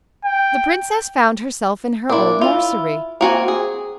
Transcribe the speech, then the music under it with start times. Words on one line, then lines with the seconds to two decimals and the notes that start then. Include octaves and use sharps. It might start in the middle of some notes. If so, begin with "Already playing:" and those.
The princess found herself in her old nursery.
0.25 G5
2.09 A#2 D4 E4
2.41 E4 F4
3.21 A#3 C4 F#4 G#5
3.48 G#4